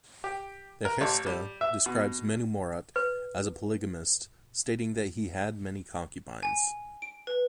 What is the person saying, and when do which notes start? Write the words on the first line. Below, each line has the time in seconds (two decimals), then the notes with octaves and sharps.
The "Gesta" describes Menumorut as a polygamist, stating that he "had many concubines".
0.24 G4
0.85 A#4
1.01 A1
1.26 G3
1.61 E5
1.86 B2
2.96 B4
6.43 G#5
7.02 D7
7.27 B4